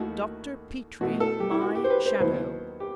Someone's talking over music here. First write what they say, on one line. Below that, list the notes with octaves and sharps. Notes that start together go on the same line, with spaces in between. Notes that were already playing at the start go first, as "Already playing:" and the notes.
Dr. Petrie--my shadow...
Already playing: D#2 D#3 A3 E4 F#4
B2 A3 E4 F#4
A4
G4
E4
F#4
G4
C5
B4
C5
D#2 D#3 F#3 B3 E4 C5
G4